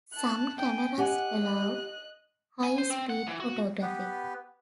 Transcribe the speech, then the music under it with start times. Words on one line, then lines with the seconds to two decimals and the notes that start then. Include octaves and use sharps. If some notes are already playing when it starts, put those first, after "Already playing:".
Some cameras allow high-speed photography.
0.13 A5 F#6
0.57 G5 G#5
0.98 G4 D#5 F#5 G#5 F#6
2.64 G#5
2.78 C5
2.90 C4
3.10 F#5
3.27 E3
3.40 F#4
3.82 B3 G4 B4